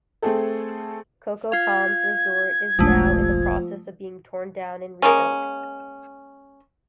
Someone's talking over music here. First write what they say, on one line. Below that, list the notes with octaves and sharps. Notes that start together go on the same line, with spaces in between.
Coco Palms resort is now in the process of being torn down and rebuilt.
A3 C4 G#4 A4
F4 F5 G#6
F1 B1 F3 G#3 A3 D4
G#3 A#3 C#4